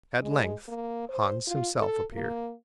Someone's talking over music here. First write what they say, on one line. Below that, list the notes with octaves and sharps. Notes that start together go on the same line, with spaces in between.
At length Hans himself appeared.
G#3
A#3
C5
F4
A4
A#3